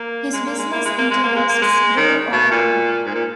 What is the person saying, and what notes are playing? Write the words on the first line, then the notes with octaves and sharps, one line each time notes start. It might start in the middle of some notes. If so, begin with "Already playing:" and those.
His business interests grew over time.
Already playing: A#3
G#3
A#3
G#3
A#3
G#3
A#3
G#3
A#3
G#3
A#3
G#3
D#3
B2
A#2
G#2
A#2